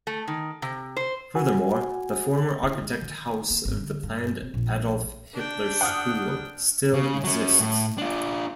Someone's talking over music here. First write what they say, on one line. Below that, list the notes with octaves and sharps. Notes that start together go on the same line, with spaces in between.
Furthermore, the former architect house of the planned Adolf Hitler School still exists.
A3
D#3
C3
C5
F#4 F#5 G#5
E4
G#3
D#3
A#3
G#1
D3
G2
C3
A#1
D4 G5
F#5 D#6 F6
C#3
F#3 C#4
A2
D4 F4